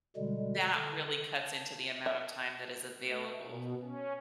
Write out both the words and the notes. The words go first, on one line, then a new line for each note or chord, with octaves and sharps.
that really cuts into the amount of time that is available
B2 D3 G3 G#3
D3
A5
E5
A3
B2
C#4